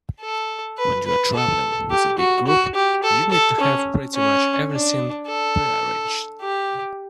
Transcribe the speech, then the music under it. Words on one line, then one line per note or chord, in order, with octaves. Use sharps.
When you are traveling with a big group, you need to have pretty much everything prearranged.
A4
B4
B4
A4
G4
F#4
F#4
G4
A4
A4
C#4
C#4
D4
A4
G4